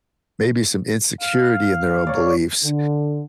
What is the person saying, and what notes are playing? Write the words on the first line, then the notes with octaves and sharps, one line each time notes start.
maybe some insecurity in their own beliefs.
F5
C#5 D5
D3